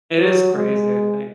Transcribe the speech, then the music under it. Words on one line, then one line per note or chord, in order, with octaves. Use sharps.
It is crazy, I think,
F#3
G#3